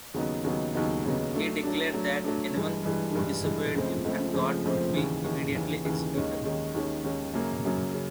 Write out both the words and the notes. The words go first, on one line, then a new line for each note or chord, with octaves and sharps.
He declared that anyone who disobeyed him and God would be immediately executed.
D#2 C#3 F#3 B3 D#4
D#2 C#3 F#3 B3 D#4
D#2 C#3 F#3 B3 D#4
D#2 C#3 F#3 B3 D#4
F#3 A3 D4
F#3 A3 D4
F#3 A3 D4
F#3 A3 D4
G2 E3 G#3
G2 E3 G#3
G2 E3 G#3
G2 E3 G#3
C#2 C#3 F3 A3 C4
C#2 C#3 F3 A3 C4
C#2 C#3 F3 A3 C4
C#2 C#3 F3 A3 C4
D#2 C#3 E3
D#2 C#3 E3
D#2 C#3 E3
D#2 C#3 E3
D#2 D#3 G#3 C#4
D#2 D#3 G#3 C#4
D#2 D#3 G#3 C#4
D#2 D#3 G#3 C#4
F#2 C#3 F#3 A#3
F#2 C#3 F#3 A#3
C#3 F#3